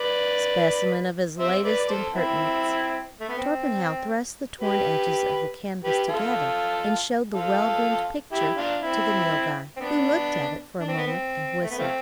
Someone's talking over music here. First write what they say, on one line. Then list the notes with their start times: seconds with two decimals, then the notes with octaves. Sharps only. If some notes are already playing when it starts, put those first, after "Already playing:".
'Specimen of his latest impertinence.' Torpenhow thrust the torn edges of the canvas together and showed the well-groomed picture to the Nilghai, who looked at it for a moment and whistled.
Already playing: B4 D5
1.40 C5 E5
1.64 B4 D5
1.79 D5
1.89 A4 C5
2.14 C4 E4
3.21 A3
3.29 B3
3.38 C4
4.61 G4 B4
5.84 G4 B4
6.09 F4 A4
7.33 F4 A4
8.32 E4 G4
8.57 D4 F4
8.82 C4 E4
9.77 C4
9.80 B3 D4
10.80 D4
10.88 C4
10.98 B3
11.07 C4
11.62 A3
11.70 B3
11.79 F3 A3 C4